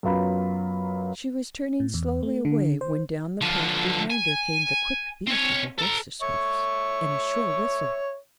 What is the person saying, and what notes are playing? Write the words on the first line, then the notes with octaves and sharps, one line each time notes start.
She was turning slowly away when down the pike behind her came the quick beat of a horse's hoofs and a shrill whistle.
F#2 F#3 B3 F4 A#5 B5
A2
E2
A3
D3
C5
D3 F3
G#5
C4 C#5
A4 A#5
C#5 E5 C#6